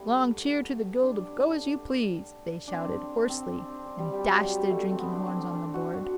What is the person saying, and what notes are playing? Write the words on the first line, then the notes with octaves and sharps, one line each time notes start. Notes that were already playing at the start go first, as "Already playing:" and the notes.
"Long cheer to the Guild of Go-as-you-Please!" they shouted, hoarsely, and dashed their drinking-horns on the board.
Already playing: G3 A3 B3 D4
D4
C4 D4
C4
D4
D4
G3
G3
F#3
G3
A3
C4
B3
D4
C4
D4
D4
F#4
F#4